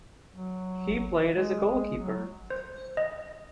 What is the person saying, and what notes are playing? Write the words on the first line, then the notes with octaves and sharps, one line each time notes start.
He played as a goalkeeper.
F#3
G#3
F#3
C5
D#5